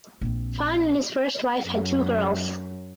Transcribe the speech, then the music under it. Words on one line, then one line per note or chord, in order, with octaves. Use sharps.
Fahn and his first wife had two girls.
A#1 C4
F#2